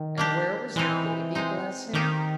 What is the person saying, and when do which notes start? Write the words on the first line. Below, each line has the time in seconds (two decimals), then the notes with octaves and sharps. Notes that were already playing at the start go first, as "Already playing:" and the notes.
And where was the baby, bless him?
Already playing: D#3
0.18 A#3 D4 G4
0.76 E3 G#3 C4 D#4
1.35 G#3 C4 D#4
1.93 D#3 A#3 D#4 G4 A#4